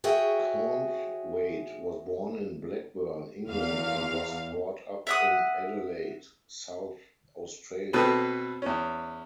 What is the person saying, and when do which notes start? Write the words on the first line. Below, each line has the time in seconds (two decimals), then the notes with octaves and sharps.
Cornthwaite was born in Blackburn, England and was brought up in Adelaide, South Australia.
0.04 F#4 G#4 C#5 E5 G5
3.48 E2 F5
5.07 E5 F#5 D#6
7.93 B2 C4 A4 B4
8.62 E2 C#4